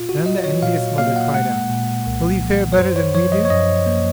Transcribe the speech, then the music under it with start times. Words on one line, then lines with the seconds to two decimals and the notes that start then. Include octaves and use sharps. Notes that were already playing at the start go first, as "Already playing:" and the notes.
Then the envious mother cried out, 'Will you fare better than we do?
Already playing: A#2 F4
0.09 F#4
0.26 F#3 D#5
0.44 C#5
0.63 A#2 F5
0.98 A#3 F5
1.16 F#5
1.34 G#3 F#5
1.70 A#2
2.07 C2
2.42 F3
2.72 C#5
2.78 F#2 C5
2.96 C#5
3.14 F3 C#5
3.32 D#5
3.45 C#5
3.50 F#2 D#5
3.86 A#3